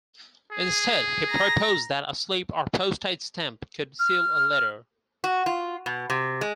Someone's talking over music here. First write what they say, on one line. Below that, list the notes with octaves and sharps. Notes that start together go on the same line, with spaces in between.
Instead, he proposed that a "slip" or postage stamp could seal a letter.
G#4
A#5 A#6
F6
F#4
F4
B2
C3
G#3